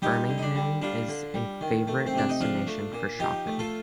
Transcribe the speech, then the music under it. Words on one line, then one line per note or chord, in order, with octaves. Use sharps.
Birmingham is a favourite destination for shopping.
G3 D#4 G4
D3
D#4
D4
G3
G3 D4 F4
D3
G3
D#3
A3
C4
C3 D4
D#4
F3 D4 F4
A3
A#2
F3 D#4 G4
A3
F4 A4